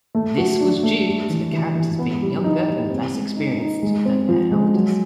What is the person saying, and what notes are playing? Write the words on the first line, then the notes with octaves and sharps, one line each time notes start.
This was due to the characters being younger and less experienced than their elders.
A3
F#4
D4
A3
G3
E3
E3
E3
B3
G3
D#4
G4
C4
G#3
D#4
D#4
G#3
C4
F3
G#3
F#3